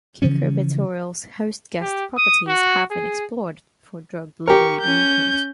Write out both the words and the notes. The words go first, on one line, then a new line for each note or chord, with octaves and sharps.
Cucurbituril's host-guest properties have been explored for drug delivery vehicles.
C#3 E3 F3 C#4
G4
D#6
F#4
G#4
G4 A#4 C#6
C#4 G6